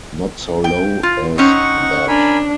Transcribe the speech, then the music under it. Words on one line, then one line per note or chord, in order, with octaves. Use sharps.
Not so low as that.
G5
F4
C4 C#4 D#4 F#5 C#6
D4 A#4 G#5 B5